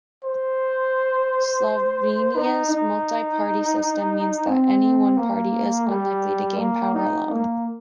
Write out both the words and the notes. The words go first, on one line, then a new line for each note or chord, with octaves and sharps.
Slovenia's multi-party system means that any one party is unlikely to gain power alone.
C5
D#4
D#4
C4
A#3
G3
A#3
D#4
A#3